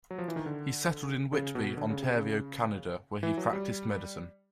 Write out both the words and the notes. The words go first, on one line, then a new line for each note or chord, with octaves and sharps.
He settled in Whitby, Ontario, Canada, where he practiced medicine.
F#3
F3
E3
D#3
D3
C#3
B2
D3
C#3
C3
C#3
E3
F#3
G3